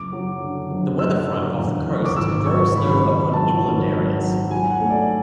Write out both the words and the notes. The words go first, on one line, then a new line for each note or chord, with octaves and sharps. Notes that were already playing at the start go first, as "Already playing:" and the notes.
The weather front off the coast drove snow upon inland areas.
Already playing: F#1 D6
F#3
D3
F#1
F#3 E6
D3
E2
F#1
C#6
D6
G#1 E6
F#3 C#6
G#1 B5
G#1
F#3 A5
G#1
F#3
F#3
F#3 G#5
F#5
A3
D5